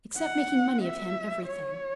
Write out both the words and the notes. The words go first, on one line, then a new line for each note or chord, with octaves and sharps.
"Except making money of him--everything?"
F#5
E5
C#5